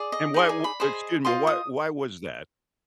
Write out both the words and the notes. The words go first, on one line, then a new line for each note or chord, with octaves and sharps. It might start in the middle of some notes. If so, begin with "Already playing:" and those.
And why wo excuse me. Why why was that?
Already playing: G#4 D5
D#5
D#4 G#4 D5
G#5
B5
G#4 C5 D#5
F4 C5 D#5 C6
D#6